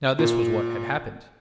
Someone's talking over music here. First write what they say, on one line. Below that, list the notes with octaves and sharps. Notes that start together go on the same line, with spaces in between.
Now this was what had happened.
A#2